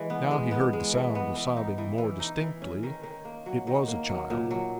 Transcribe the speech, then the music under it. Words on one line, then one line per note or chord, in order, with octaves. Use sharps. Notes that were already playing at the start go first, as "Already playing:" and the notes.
Now he heard the sound of sobbing more distinctly; it was a child.
Already playing: E3 G#3
B3
G#3
B3
G#3
E3
B3
E3
D#4
E3
E3
D#4
E3
C#4
D#3
D#3
A#3
F#3
D#3
A#3
F#3
A#2
F#3